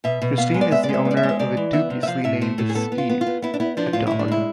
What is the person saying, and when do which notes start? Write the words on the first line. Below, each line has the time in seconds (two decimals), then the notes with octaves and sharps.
Christine is the owner of the dubiously named Steve, a dog.
0.04 B2 E5
0.22 B2
0.38 B3 F5
0.54 G#3
0.61 D5
0.71 B3 E5
0.84 D5
0.89 G#3
0.94 E5
1.05 B3
1.11 D5
1.17 E5
1.23 G#3
1.29 E5
1.39 C3 D5
1.57 E3
1.73 B3 E5
1.90 C3
2.03 E5
2.07 F3 F5
2.24 A2 E5
2.42 A3 C5
2.58 A2 A4
2.69 G#4
2.75 B3 A4
2.92 B3
2.98 F4
3.09 B3
3.21 F4
3.27 B3
3.42 B3 E4
3.54 D4
3.60 B3 E4
3.77 F3 D4
3.93 A2 F4
4.07 A2 E4
4.19 D4
4.28 G#3 E4